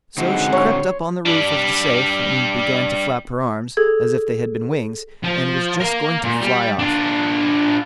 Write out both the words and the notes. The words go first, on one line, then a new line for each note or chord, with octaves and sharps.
So she crept up on the roof of the safe and began to flap her arms, as if they had been wings, and was just going to fly off.
D3 G#3 C4 D#4 F#4 F#5
C#5 C6
G3 D4
G#4 A4 G#6
F3
A#4 F5
A#2
G3
D4 F4